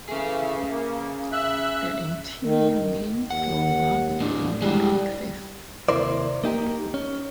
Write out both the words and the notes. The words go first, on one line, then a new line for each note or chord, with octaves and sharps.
The interior main floor lobby no longer exists.
E3 A3 C#4 G#4
A#3
E5 E6 F#6
D#3
D#2 F#5
A2 D4
G3 G#3 E4
D#2 C3 E4 A#4 C5 D5
A#3 D#4 G4 A#4
C#4